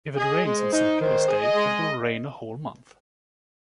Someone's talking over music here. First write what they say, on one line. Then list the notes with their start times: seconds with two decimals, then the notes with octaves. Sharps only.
If it rains on St. Peter’s day, it will rain a whole month.
0.17 G#4 D#5
0.45 G#3
0.59 C5
0.72 D#4
1.00 D#3 C5
1.28 G#4
1.41 D#5
1.55 G#3